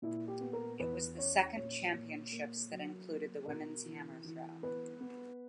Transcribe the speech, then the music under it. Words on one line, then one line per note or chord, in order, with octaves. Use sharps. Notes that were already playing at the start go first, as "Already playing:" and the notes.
It was the second championships that included the women's hammer throw.
A#2 E4
G4
B3
A#4
E2 B4
C#4 C#5
A#2 C#5
A#2
A#3
F#3
A#3
B2 A#4
E3
E3
B3 B4
B3